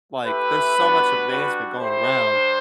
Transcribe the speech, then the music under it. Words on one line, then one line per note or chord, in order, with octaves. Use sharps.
Like, there's so much advancement going around,
A3 E4 G4 B4
G3 B3 D4 F#4
G3 D4 F#4
A3 E4 G4 C5
G3 D4